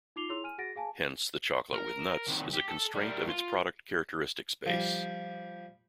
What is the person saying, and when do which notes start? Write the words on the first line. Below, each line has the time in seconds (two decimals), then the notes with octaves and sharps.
Hence, the chocolate with nuts is a constraint of its product characteristic space.
0.16 D#4 F4 D6 C7 F7 G7
0.29 E4 G#4 C#5 C6 E6 F7
0.44 G#5 F6 D#7
0.58 F#4 G#4 F#5 A6 A#6 D7
0.75 G#4 F5 G#5 A5
1.74 A#4
2.28 C3 D#3
2.54 G4
2.68 A4
2.95 G3 A#4
3.28 F4
4.66 F3 G3